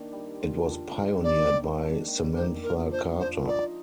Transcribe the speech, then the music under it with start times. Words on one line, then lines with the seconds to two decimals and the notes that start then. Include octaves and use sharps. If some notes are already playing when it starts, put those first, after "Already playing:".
It was pioneered by Samantha Carter.
Already playing: D#3 A#3 D4
0.12 G3
0.40 F4
0.68 D4
0.96 G#2
1.24 A#3 D5
1.52 D#3
1.79 D4
2.07 D#3
2.36 A#3 C5
2.63 F4 A#4
2.92 D4 C5
3.19 F3 C5
3.47 D#4 D5